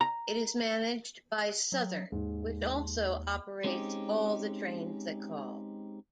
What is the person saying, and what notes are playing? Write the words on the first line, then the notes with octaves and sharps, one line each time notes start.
It is managed by Southern, which also operates all the trains that call.
A#5
F#3
D#2 G#2
G#3 C4 C#4 D#4 G4